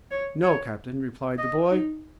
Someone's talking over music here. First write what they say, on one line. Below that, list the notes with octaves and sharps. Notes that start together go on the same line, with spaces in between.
"No, captain," replied the boy.
C#5
C#5
D#5
D#4